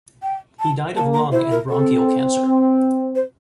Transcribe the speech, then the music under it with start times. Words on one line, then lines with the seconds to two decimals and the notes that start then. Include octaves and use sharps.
He died of lung and bronchial cancer.
0.22 G5
0.60 A5
0.95 A#3 A5
1.13 A#5
1.32 E4 C5
1.51 A#4
1.69 C4 A4
3.15 C5